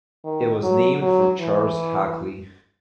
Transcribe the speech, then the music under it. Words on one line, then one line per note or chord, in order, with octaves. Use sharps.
It was named for Charles Hackley.
D#3
F#3
F#3
E3